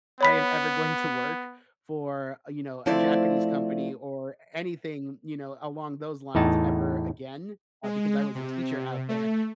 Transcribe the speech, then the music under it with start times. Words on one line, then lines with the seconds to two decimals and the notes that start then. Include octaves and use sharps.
I am ever going to work for, you know, a Japanese company or anything, you know, along those lines ever again, uh, because I was a teacher out there,
0.21 B3 C#5 B5 B6
2.86 F3 A3 C4 E4 D5
6.35 E2 A2 D#4 A5
7.83 G#3
8.35 C3
9.08 A3